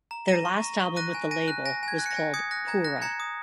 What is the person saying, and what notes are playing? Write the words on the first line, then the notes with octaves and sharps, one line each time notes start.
Their last album with the label was called "Pura".
A#5
A#5 A#6 D#7
C#6
A#5
C#6
F#6 A#6 D#7
G#5
G#5 A#6 D#7
F#6
G#5 A#6
G#5 G#6
F#6
C#7
A#6
G#5
D#6 G#6 C#7
F#6 A#6
A#5 G#6
F#6 A#6
A#5 G#6 C#7
D#6